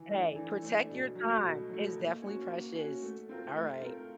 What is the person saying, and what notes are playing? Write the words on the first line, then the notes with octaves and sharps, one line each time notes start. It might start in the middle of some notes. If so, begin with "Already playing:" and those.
hey, protect your time, it's definitely precious. All right,
Already playing: E3
A3 D4
E3
A3 D4
B2
F#3 A3
B2
F#3 A3
A#3
C#4 F#4
A#3
C#4 F#4
A3
C4 F4 A#4
A3
C4 F4 A#4